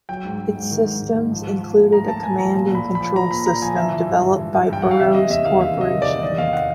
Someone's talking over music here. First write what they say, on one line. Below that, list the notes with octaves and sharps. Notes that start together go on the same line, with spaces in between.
Its systems included a command and control system developed by Burroughs Corporation.
F#3 G5
G#2
G#2
G#2
D#3
G#2
G#2
G#2
F3
F3
F3
A2
F3 A#5
A2 A5
A2 G#5
F3 A#5
A#2
A#2
B5
F3
B5
F3
F3 A#5
A#2 B5
A#2 A#5
F3 G#5
E3 E5
E3
G2
G2
E3
G2
G2 G5
G2 F#5
F5
C3 E5
C3 D#5
E2 E5
D#3 F5
E2 E5
C3 D#5
D#3
D#3 D5
C3 D#5
E2 F5
F#5